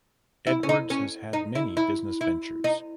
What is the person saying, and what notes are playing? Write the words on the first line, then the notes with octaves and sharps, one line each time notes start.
Edwards has had many business ventures.
E4
C#4
D#4
C#4
D#4
E4
E4
E4
D#4